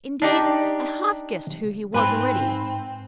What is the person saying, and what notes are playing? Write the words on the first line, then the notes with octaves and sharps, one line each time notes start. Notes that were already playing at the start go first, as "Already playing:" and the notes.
Indeed, I half guessed who he was already.
D4 D#4 G4 D5
G#2 C4 B4 G#5 C6